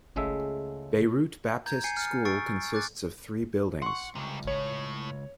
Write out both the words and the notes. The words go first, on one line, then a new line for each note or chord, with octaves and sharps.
Beirut Baptist School consists of three buildings.
C#2 C#3 G#3 A3 E5
A#5 G6 G#6
G#5 G6 G#6 C7 C#7
F6 A6 C#7
C#6 E6 A6 C7 D7
D6 F#6 A6
F#5 C6 C#6
C#2 C3 G3
A2 C#5